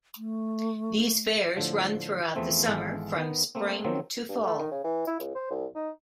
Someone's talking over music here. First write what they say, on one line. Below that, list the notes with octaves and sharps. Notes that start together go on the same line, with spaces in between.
These fairs run throughout the summer, from spring to fall.
A3
A2 D3 F3
E2 E3 F3 A3 C4
G#1 E3 G#3 B3 A4 F5
D#3 B3
A3 A#3 C4
D#3 F3 F#3 A#3 C4
G2
A3
D#3
C#3
E3
E4
C#2
C5
C2
D#4